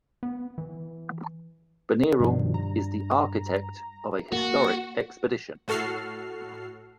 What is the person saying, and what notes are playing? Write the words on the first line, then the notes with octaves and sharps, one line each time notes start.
Benirall is the architect of a historic expedition.
B3
E3
G2 B2 D#3 F3 D4
A#5
A#3 F#4
A2 F#4 A4 F6 C7